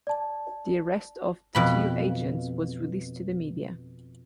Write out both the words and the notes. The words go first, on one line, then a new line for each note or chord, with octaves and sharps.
The arrest of the two agents was released to the media.
D5 A5
F2 B2 B5